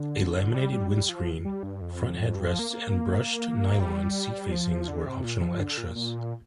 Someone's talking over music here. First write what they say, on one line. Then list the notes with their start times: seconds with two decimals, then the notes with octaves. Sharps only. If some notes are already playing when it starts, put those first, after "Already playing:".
A laminated windscreen, front head rests and brushed nylon seat facings were optional extras.
Already playing: D3
0.54 G3
0.72 G3
0.90 G3
1.09 F3
1.45 G3
1.63 G2
1.81 F2
2.35 G2
2.47 F3
2.59 A#3
2.70 A#3
2.89 A#3
3.80 G3
4.52 F3
4.88 D3
5.06 C3
5.24 A#2
5.42 F3
5.60 D3
5.78 A#2
5.95 A#2